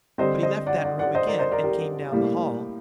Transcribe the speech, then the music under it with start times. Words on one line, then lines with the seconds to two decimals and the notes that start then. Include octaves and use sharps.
"But he left that room again and came down the hall."
0.18 D3 G3 C4 C5 D#5
0.42 C5 D#5
0.66 D5 F#5
0.84 D5 F#5
0.99 D5 F#5
1.15 C5 D#5
1.27 A#4 D5
1.39 C5 D#5
1.52 A#4 D5
1.64 G4 A#4
2.12 A2 G3 A#3